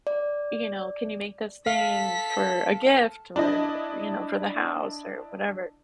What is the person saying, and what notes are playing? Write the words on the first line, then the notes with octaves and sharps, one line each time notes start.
you know? Can you make this thing for a gift or, f you know, for the house or whatever."
D5
A4 F5 B6
D4 E4 D#5